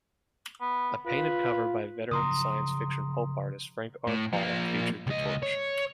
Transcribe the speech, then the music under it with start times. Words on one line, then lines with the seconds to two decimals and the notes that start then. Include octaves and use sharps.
A painted cover by veteran science-fiction pulp artist Frank R. Paul featured the Torch.
0.61 B3
1.06 F4 B4
2.11 C#3 F3 F#3 A#5 C6 D#6
4.08 A2
4.33 F3 A#3
5.07 C#2 D#5
5.43 C#5